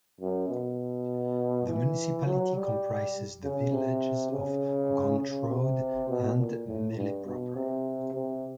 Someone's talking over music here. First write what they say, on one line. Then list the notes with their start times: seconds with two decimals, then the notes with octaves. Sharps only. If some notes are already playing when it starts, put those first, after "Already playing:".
The municipality comprises the villages of Gontrode and Melle proper.
0.20 F#2
0.49 B2
1.67 E3
2.26 F#3
2.56 G3
3.44 C#3
3.73 C3
4.32 C#3
5.20 C#3
5.50 C3
6.09 B2
6.38 A#2
6.67 A2
6.97 G2
7.26 B2
7.56 C3
8.14 C3